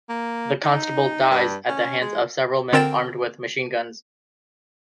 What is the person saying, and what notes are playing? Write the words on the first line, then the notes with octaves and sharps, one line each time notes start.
The Constable dies at the hands of several men armed with machine guns.
A#3
D#4
G2
C#4
G#3
D3 C4 A#4 G5 A6 E7